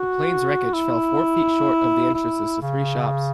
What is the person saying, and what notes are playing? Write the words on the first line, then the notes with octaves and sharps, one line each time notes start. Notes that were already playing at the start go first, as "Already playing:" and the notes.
The plane's wreckage fell four feet short of the entrances to three shops.
Already playing: F#4
E4
E4
C#3